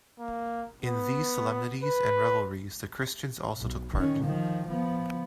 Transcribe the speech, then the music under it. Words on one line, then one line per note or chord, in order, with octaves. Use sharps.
In these solemnities and revelries the Christians also took part.
A#3
B3
B4
B1
D#3 C#4
D#3 F3
F3 B3